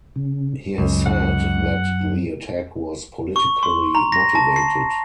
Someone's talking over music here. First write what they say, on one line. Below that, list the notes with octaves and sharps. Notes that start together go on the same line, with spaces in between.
He has said that the attack was politically motivated.
C#3
C#2 F#2
F#5
C#6
C6
A#5
A#6
A5
C7